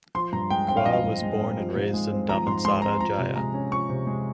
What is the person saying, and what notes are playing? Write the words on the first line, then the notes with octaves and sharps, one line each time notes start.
Quah was born and raised in Damansara Jaya.
F3 C6
G2 A#5
G#3 G5
C4 G5
F5
F3 D#5
F5
G2
G#3
C4
F3
G#2
G#3
C4
F3 A#5
G#2 C6
G#3 C6
C4 A#5
F3 A#5
C3
G#3 A#5
C#4
F3 C#6
C3
G#3